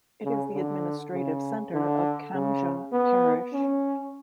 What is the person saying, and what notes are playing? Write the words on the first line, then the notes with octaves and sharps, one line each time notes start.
It is the administrative centre of Kambja Parish.
C#3
D3
C#3
D3
C#3
B3
C#4